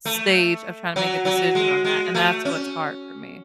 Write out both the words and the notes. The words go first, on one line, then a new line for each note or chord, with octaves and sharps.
stage of trying to make a decision on that, and that's what's hard for me.
A3
F#3
F#3
G#3
G#3
A3
C#4